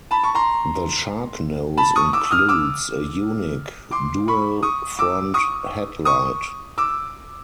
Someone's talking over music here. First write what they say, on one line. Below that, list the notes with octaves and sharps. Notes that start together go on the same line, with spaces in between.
The Sharknose includes a unique, dual front headlight.
A5 B5
C#6
A#5 C6
A5 B5
C#6 D#6
D6 E6
D#6 F6
D6 E6
C6 D6
B5 C#6
C#6 D#6
D6 E6
C#6 D#6
C#6 D#6
D6 E6